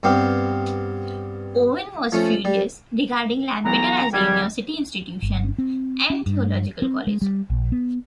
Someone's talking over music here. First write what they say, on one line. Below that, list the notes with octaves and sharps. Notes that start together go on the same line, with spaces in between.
Owen was furious, regarding Lampeter as a university institution "and" theological college.
G2 B3 C4 G4 F5
F3 A3 C#4
G3
B1 B2 E3 A#5
G#1 G3 G#6
G1
C4
C#4
G2
C4
G#3
G3
A#1
B3